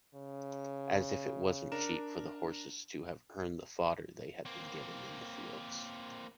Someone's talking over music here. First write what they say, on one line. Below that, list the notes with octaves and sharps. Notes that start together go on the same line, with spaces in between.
As if it wasn't cheap for the horses to have earned the fodder they had been given in the fields.
C#3
D4 A#4 E7
A#3 C4